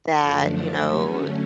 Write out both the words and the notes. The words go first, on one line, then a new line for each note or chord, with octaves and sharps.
that, you know,
F#2 D3 F3 A3 D4
D3 F#3 A3 C#4